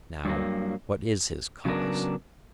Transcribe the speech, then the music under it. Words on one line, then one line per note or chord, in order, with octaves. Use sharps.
Now, what is his cause?
G2 F#3 A#3
C#3 F#3 B3 D4 A#4